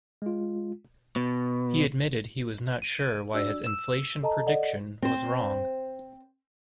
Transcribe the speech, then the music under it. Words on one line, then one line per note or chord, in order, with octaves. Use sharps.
He admitted he was not sure why his inflation prediction was wrong.
G#3 F4
B2
D7 D#7
D4 F#4 D5 E6
E6 E7
A4 D#5 A5 A#5
A4 D5 D#5 F#5
C4 C5